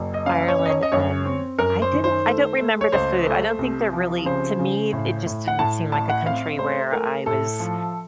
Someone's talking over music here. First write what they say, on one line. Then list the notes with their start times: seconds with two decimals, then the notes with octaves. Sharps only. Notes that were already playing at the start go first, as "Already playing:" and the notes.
Ireland, um, I didn't I don't remember the food. I don't think they're really to me, it just didn't seem like a country where I was
Already playing: F#1 F#3
0.14 D#5
0.26 C#4 F5
0.48 C#5
0.59 C#4
0.66 D#5
0.70 C#5
0.83 D#5
0.92 F#2 C#5
1.25 C4
1.58 F#2 A#4
1.82 C5
1.92 D#3
2.04 C5
2.26 A3
2.59 A3
2.81 C#5
2.92 C#2 C5
3.26 A3
3.59 C2
3.93 F3
4.25 C#3 C5
4.59 C#3
4.93 A2
5.26 A2
5.48 F#5
5.59 A2 A5
5.92 A1 A5
6.10 F#5
6.26 C4 F5
6.59 A3 C5
6.93 A3 A#4
7.26 A2 A4
7.60 F3